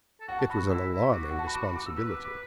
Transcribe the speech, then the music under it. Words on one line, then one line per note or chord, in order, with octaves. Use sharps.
It was an alarming responsibility.
A4
F#4 F#5
A5
F#4 B5
E4 E6
E4
F#4 D6
F#5
A5
B5
D6
B5
D6
E6
B4 E6
D6
D6